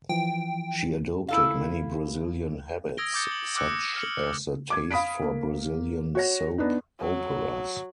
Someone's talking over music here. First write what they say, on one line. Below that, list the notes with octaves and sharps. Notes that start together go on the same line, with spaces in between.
She adopted many Brazilian habits, such as the taste for Brazilian soap operas.
E3 F3 G5
E4 A4 F5
D#6 E6 G#6 A#6 D7 G7
D6 D#6 G6 A6 C#7 G7
F#7 G7
D6 E6 F#6 C#7
F6 C#7 F#7
D6 G#6
F5 B5 D#6 B6 D7
A#3
F#4 C#5 A#6
B3 D4 D#4
F#3